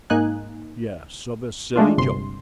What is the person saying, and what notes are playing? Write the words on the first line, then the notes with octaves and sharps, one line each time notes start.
"Yes, of a silly joke."
G#2 A#3 D#4 G#5 F#6
G#3 A3 D4 F4
G1 C3 C6